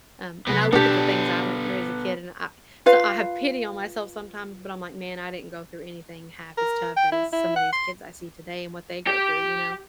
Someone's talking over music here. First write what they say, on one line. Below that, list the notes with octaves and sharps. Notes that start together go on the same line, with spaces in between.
Um, and I look at the things I went through as a kid, and I so I have pity on myself sometimes, but I'm like, "Man, I didn't go through anything half as tough as some of these kids I see today and what they go through," you know?
C3 F#3 B3 F#4 B4
B2 D3 B3 D4 G4 A4
F4 B4 F5
A#4
G5
E4
E4
F#5
C6
G4